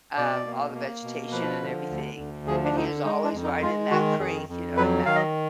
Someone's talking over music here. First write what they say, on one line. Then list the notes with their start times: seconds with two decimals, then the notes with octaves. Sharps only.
um, all the vegetation and everything, and he was always right in that creek, you know, in that
0.17 B2 D5
0.46 A#3
0.75 A#3
1.03 B2
1.32 F3 B4
1.61 D3
1.90 D2
2.19 D2
2.47 F3 G#4
2.64 D4
2.76 D3 D#4
3.05 G#3 D#4
3.24 D4
3.33 F2
3.43 D#4
3.62 G#3 F4
3.91 D#3 F#4
4.19 F2 G#4
4.49 F2
4.77 F#3 B4
5.06 D#3 F5
5.16 D#5